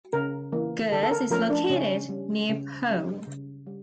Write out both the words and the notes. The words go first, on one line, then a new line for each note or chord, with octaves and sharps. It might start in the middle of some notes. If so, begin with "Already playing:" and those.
Gurs is located near Pau.
C#3 A#4
E3 A#3
D3 A4
A4
A#4
F3 A3 C#4 A#4
D4
C#3 C#4
G3 C#4
C#3
G3 C#4
C#3
G3